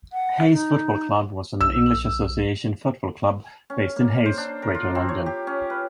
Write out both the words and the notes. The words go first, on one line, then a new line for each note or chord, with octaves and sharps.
Hayes Football Club was an English association football club based in Hayes, Greater London.
F#5
D#4
B1 E6
C#4
A#3
C5
D4
A#4
F4
C4
C#5
G4
C#4
B4